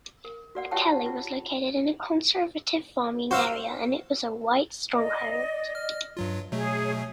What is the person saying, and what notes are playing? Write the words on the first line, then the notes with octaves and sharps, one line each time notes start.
Mikkeli was located in a conservative farming area and it was a White stronghold.
A#4
F#4 D5 F#5
F4 G4 C#5 F#5 G5 A5
F4
F#4 C5 F5 E6
D5 D#5
F6
G2 F#3 F4
B2 F#3 A3 G#4 C#5